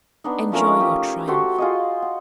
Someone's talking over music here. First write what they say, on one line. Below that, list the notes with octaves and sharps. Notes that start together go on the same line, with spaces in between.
Enjoy your triumph!
B3 D4 D#4
F3 A3 C#4 A#4
G4 D#6
F#4 G4 A4 C5
F4 G#4 D#5
F#5